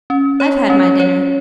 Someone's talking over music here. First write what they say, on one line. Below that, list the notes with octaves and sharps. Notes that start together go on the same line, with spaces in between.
I've had my dinner.'
C#4
C#5
C#4
C#5